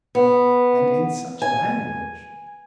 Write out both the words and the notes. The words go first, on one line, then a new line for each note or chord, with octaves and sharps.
And in such language!
B3
G#5